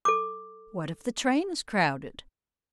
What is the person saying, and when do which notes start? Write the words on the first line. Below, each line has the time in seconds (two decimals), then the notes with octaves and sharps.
What if the train is crowded?
0.05 A4 D6